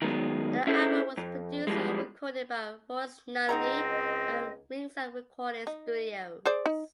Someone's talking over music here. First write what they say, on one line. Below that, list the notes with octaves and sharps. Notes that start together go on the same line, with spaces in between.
The album was produced and recorded by Royce Nunley at Ringside Recording Studios.
D#3 F#3 G#3 B3
C#4 E4 G#4 A4 C5
F2
E2 E3 F3 G3 G#3
C#2 C4 D#4 D#5 F#5 A#5
D#4
G#4 C5 D5
D#4